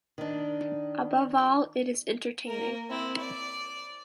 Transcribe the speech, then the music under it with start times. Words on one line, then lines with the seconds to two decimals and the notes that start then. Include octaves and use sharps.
Above all, it is entertaining.
0.18 D#3 D4
2.47 A#3 A#4
2.89 C4 E4
3.19 D5